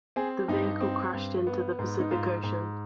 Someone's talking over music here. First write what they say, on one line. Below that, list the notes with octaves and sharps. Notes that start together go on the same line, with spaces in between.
The vehicle crashed into the Pacific Ocean.
C4 G#4
G2 D#4
C4
G2
B3
G#2
D#4
G#2 F4
G#2